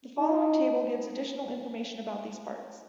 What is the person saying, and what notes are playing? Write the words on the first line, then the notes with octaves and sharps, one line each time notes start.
The following table gives additional information about these parts.
D#4